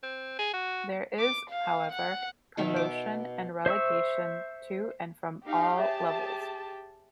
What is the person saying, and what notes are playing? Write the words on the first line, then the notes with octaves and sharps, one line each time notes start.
There is, however, promotion and relegation to and from all levels.
C4
G#4
F#4
D6
F5
F#5
B2 D#3 A#4 E5
D6
C5 E5 C#6 E6
D#4 G4 F5
G#4 C#5 E5 G5 A5